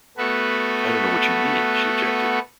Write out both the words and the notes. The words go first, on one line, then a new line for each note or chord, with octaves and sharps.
"I don't know what you mean" she objected.
A3 B3 F#4 A4 B4